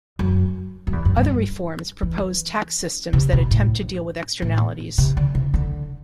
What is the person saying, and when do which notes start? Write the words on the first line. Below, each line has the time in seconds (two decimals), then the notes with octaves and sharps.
Other reforms propose tax systems that attempt to deal with externalities.
0.19 F#2
0.87 F#2
0.93 E2
1.05 F#2
1.17 G2
2.03 E3
3.13 C3
3.33 B2
3.51 A2
4.42 A2
4.98 C3
5.17 D3
5.35 C3
5.54 D3